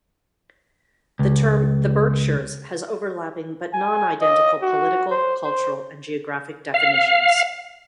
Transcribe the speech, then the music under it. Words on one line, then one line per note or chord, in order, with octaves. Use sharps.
The term "The Berkshires" has overlapping but non-identical political, cultural, and geographic definitions.
C#2
G#5
D#5
F#4
C5
C5
F5